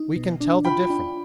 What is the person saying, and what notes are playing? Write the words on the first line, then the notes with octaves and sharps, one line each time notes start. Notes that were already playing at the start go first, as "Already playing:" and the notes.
We can tell the difference.
Already playing: D#4
B2
D4
F4 G5 B5
D4